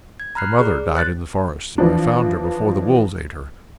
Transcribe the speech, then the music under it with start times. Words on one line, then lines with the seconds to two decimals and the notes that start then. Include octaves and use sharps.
Her mother died in the forest and I found her before the wolves ate her.
0.20 G#6
0.35 A#5 B5 F6 F#6 C7
0.59 G#4 D5
0.95 C5 F#6 A6
1.78 E3 F3 D4